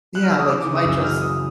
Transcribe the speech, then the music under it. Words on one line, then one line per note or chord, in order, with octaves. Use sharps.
Yeah, like, you might dress
F#6
F6
E6
D#6
E3 D6
D6
C#3
D#6
F#2 E6
C#3 F6
E3 D#6